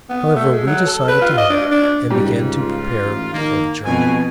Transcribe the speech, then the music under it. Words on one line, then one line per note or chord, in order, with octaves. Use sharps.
However, we decided to move, and began to prepare for the journey.
B3
A3
G#3
F#3
A4
B4
F4
D#5
D4
D4
C#2 G#2 G3 G4
F4
A1
D#3 A#3
F2 B2 G#5